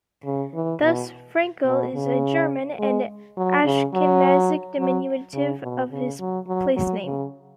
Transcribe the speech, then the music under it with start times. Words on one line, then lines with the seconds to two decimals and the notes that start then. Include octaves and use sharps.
Thus Frankel is a German and Ashkenazic diminutive of this placename.
0.25 C#3
0.54 E3
0.82 B2
1.66 B2
1.95 C#3
2.79 G#3
3.37 F#3
3.65 C#3
3.94 F#3
4.79 F#3
5.34 C#3
5.62 B2
5.91 C#3
6.19 F#3
6.47 F#3
6.76 F#3
7.05 C#3